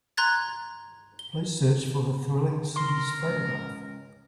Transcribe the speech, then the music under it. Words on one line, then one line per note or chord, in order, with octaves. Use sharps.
Please search for the Thrilling Cities photograph.
A#5 C6 F#6 G#6 A6
G7
A#4 C6
C#2